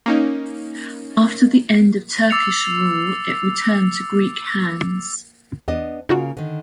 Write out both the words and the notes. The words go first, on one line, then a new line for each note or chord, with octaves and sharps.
After the end of Turkish rule it returned to Greek hands.
A#3 C#4 D#4
D6 E6 A6 C7 C#7 F7
E2 B3 D4 D#5
C#3 A#3 D#4 F4 F#4
D3 D#3